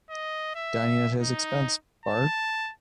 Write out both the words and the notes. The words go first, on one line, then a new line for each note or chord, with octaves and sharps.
Dining at his expense, Bart?
D#5
E5
D#4
A5